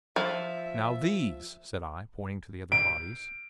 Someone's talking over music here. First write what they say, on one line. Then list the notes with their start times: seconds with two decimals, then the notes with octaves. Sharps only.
"Now these," said I, pointing to the other bodies.
0.16 F3 E5
2.72 D7